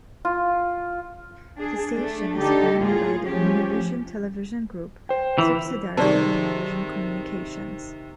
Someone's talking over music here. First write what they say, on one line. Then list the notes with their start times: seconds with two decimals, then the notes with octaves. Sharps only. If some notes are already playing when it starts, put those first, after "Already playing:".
The station is owned by the Univision Television Group subsidiary of Univision Communications.
0.25 F4
1.58 D4 G#4
1.95 A3 D4
2.38 D3 D#4 G4 A4
2.80 A2 A#3 F4 G#4
3.27 F3 A3 C#4 G4
5.09 C5 G5
5.38 E3
5.97 C3 D#3 G#4 D5 A5